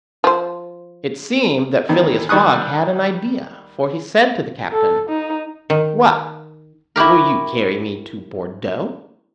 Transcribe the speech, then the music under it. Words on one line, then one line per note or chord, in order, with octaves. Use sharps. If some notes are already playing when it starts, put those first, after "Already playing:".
It seemed that Phileas Fogg had an idea, for he said to the captain, "Well, will you carry me to Bordeaux?"
F3 C5
E2 D#3 E3
D#3 G3 C#6 D#6 F#6
A4
D#4
D#3
E4 F#4 G4 A#4